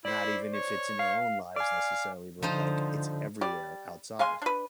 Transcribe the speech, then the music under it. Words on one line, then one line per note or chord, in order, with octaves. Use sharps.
not even if it's in our own lives necessarily, but, like, it's everywhere outside.
E4 C5 D5
C#5
F5
D5 F5 G#5
D3 F3 D#4 C5
G3 G4 D5
G#3 F5 G#5 C6
D4 B4